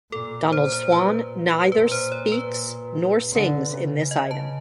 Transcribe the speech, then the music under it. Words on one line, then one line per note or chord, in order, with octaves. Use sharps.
Donald Swann neither speaks nor sings in this item.
A#2 A4
C5
C5
B4
A#2 B4
C5
C#5
B4
D3
C#3
D#5
A5